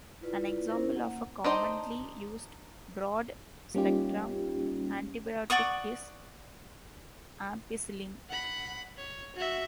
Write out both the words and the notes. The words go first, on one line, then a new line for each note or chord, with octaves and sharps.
An example of a commonly used broad-spectrum antibiotic is ampicillin.
E4 F4 B4 D5
C#4 D4 E4 A#4 C5
A#3 F#5
D4 D#4 C5 D#5
G3 A#3 C#4 D#4 F4 G4
D5 F#5 C#6 D#6
F#5 B5
C#5
F#4 E5